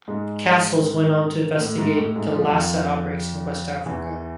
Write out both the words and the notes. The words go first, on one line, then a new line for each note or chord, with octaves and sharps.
Casals went on to investigate the Lassa outbreaks in West Africa.
G#2 G#3
A2 A3
G#2 G#3
A2 A3
G#2 G#3
F3
G#3
F2 F3
E2 E3